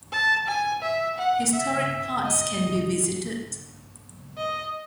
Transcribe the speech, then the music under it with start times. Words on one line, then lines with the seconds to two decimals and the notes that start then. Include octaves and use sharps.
Historic parts can be visited.
0.12 A5
0.48 G#5
0.82 E5
1.18 F#5
1.53 E5
2.24 D#5
4.37 D#5